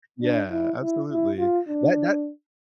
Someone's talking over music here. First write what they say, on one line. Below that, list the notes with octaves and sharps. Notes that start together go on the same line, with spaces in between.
Yeah. Absolutely. That that
D4
E4
E4
E4
F4
D4